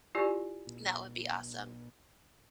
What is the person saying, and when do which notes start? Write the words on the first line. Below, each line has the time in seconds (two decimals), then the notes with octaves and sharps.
That would be awesome.
0.15 E4 F4 G4 D5 G#5